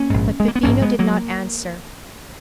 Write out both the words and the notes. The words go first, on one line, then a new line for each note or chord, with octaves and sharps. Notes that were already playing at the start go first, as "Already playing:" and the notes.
But Peppino did not answer.
Already playing: A#3 C#4
A#1 G#2
G#3
A#3
B3
A#1 G#2 A#3 C#4
G#3 B3
F#3 A#3